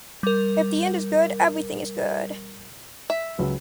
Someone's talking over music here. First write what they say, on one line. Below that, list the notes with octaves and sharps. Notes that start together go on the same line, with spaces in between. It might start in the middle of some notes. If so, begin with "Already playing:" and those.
If the end is good, everything is good.
G3 A#4
E5
C#2 F#3 B4